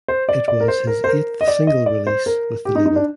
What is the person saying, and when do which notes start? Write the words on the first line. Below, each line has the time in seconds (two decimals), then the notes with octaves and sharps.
It was his eighth single release with the label.
0.08 C5
0.29 D5
0.48 D5
0.60 A#4
0.68 C5
0.87 A#4
1.04 C5
1.07 A#4
1.41 D#5
1.48 D5
1.67 D#5
1.86 D5
2.07 C5
2.26 A#4
2.65 G4
2.75 D#4
2.86 D#4
2.96 D4